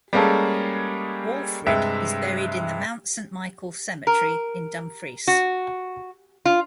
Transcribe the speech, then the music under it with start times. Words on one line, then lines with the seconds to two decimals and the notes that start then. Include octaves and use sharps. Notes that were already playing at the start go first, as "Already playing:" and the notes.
Walfrid is buried in the Mount Saint Michael Cemetery in Dumfries.
0.13 G3 G#3 A#3 C#4 G#4 A4
1.67 G2 C3 G#3 E5
4.07 A#4
5.28 F#4
6.45 F4